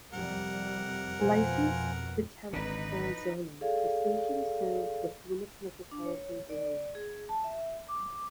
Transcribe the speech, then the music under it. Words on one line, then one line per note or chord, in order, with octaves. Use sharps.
Licensed to Tempe, Arizona, the station serves the Phoenix metropolitan area.
F2 C3 G3 A#4 F#5
F2 B2 F3 C5 G#5
G#1 D3 D#4 B4
G#4 A4 D5 F5
D4
C#5
D5
G#4
A5
E5
D6